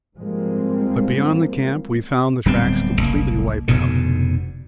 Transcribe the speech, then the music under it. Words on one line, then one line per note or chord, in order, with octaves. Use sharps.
But beyond the camp we found the tracks completely wiped out.
G#2 F3 G3 G#3 A#3 C4
D1 G3 B3 C4
F#1 C2 A#3
F1 G#2 B2 D3